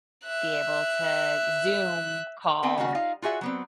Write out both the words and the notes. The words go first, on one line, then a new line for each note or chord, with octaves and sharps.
be able to Zoom call,
E5 F#6
B3 C4 G4 G5 G#5
C#3 G3 A#3 C#4 F#4 F#5
D#4 F4 F5
F4 F#4 G#4 E5 F#5
F#3 B3 C4